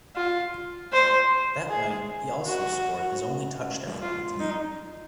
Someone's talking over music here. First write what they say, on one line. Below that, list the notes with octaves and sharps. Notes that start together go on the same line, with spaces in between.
That night he also scored his only touchdown of the year.
F4
C5
G#4
F#4
F4
D#4